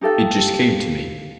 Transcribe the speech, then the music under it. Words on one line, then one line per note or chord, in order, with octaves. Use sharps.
It just came to me.
D#4 G4 A4 F5 G6